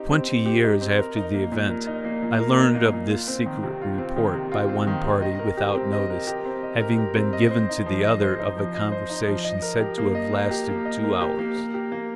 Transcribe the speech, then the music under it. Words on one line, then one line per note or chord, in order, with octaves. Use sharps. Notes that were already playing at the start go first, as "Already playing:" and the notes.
Twenty years after the event, I learned of this secret report, by one party, without notice having been given to the other, of a conversation said to have lasted two hours.
Already playing: C4 D#4 G4
C4
C4
G4
D#4
C4
A#4
D#4
A#3
A#2
A#4
D#4
A#3
A#2
A#4
D#4
A#3
A#2
F4
C4
D#3
C3
F4
C4
D#3
C3
F4
C4
D#3
C3
D#5
A#4
G4
C4
D#5
A#4
G4
C4
D#5
A#4
G4
C4
D#5
C5
D#4
F3
D#5
C5
D#4
F3
D#5
C5
D#4
F3
D#5
A#4
G4
A#3
D#5
A#4
G4
A#3
D#5
A#4
G4
A#3
A#4
G4
A#3